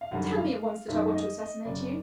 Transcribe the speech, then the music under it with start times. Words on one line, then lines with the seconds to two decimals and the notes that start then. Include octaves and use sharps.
"Tell me at once that I want to assassinate you?"
0.01 F5
0.11 G#1 F#2 D3 G3 F#5
0.36 F5
0.63 F5
0.88 G#1 F#2 D#3 G#3 E5
1.14 D#5
1.40 D#5
1.65 F#1 F#2 C#3 D5